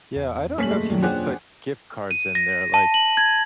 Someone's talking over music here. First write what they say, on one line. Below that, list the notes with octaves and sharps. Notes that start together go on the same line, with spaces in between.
Yeah, I don't know if you can put gift cards in there. Like,
E2
E1 F#2 A3 A#3 C#4 B6 F#7
G#3
A#2 D#3 F#3
D4 F4 G4 G#4 C5 C#5 F#5 F#6
D#7
A#6
A5
F#7
G#6